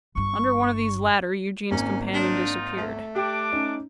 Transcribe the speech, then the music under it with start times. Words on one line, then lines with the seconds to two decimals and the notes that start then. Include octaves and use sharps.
Under one of these latter, Eugene's companion disappeared.
0.15 G1 G2 C#6
1.71 G#1 A#3 C#4
2.14 C4 D4 D#4 F4
2.77 A3
3.16 D4 G4 G5 D6
3.52 C#4 D#4